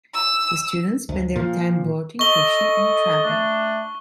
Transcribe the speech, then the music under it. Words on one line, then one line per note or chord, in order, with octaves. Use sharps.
The students spent their time boating, fishing, and trapping.
E6
D2
A#2 F3
A4 D#5 C#6 G7
A3 D4